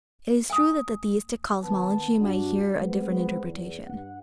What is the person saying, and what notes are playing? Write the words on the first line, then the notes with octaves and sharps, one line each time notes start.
It is true that the theistic cosmology might hear a different interpretation.
G#5 D#6
D#3 B3 A5
G2 D4 F#4
G#3 B3 C4
E2
G2 F#5